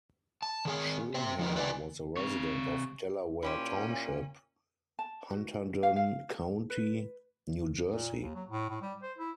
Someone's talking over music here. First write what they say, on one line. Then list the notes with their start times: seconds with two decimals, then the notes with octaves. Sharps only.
Schoenherr was a resident of Delaware Township, Hunterdon County, New Jersey.
0.42 A5
0.65 D#3 G#4 G#5
1.14 C5 E5 G5
1.39 F3 D#4 A#4
1.56 B4 D5 D#5 G5 G#5
2.17 C3 C#5
3.43 A#2 C#4 E4 G4 C5
4.99 A5
5.30 F#4
5.83 F5
5.96 F5
6.70 B4
7.90 A#2
8.21 D#2
8.35 F#3
8.49 A2
8.70 A2
8.82 G3
9.03 C5
9.18 E4